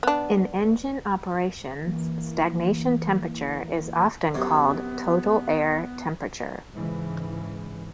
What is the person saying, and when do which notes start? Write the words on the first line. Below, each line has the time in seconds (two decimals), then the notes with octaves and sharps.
In engine operations, stagnation temperature is often called total air temperature.
0.03 B3 D4
1.85 E3 A#3
4.34 F#2 C3 B3
6.73 G#2 C#3 E3